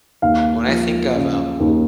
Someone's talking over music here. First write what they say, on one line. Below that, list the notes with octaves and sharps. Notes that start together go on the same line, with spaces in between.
when I think of, um,
D#2 F5
F3
C#3
D#2